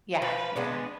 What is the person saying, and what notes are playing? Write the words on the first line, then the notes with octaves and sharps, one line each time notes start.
Yeah, yeah.
F3 B4
G#3 B3 D4